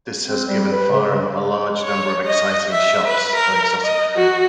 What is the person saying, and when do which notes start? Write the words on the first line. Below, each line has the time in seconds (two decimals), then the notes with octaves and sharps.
This has given Farum a large number of exciting shops and exotic food.
0.25 C4
0.47 G3
0.72 B4
0.91 C#3
1.83 C#5
2.26 D#5
2.72 E5
3.06 B4
3.35 A#4
3.84 D#5
4.16 F#4